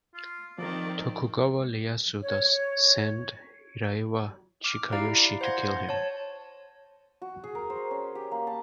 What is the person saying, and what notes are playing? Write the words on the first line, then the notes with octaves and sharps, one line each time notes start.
Tokugawa Ieyasu thus sent Hiraiwa Chikayoshi to kill him.
F4
D#3 F3 C4 F4 D5
C#5
D6 F6
E4 G4 D5 F5 A#5 D7
C5 F#5 C6 G#6 A#6
C#5 A5
F#4
G#4
A#4
C5
C#4
G4
A#3
A5